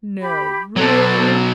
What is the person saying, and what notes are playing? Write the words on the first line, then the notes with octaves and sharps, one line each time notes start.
'No, really?
G4 B5
B2 F#3 A4 C5 D5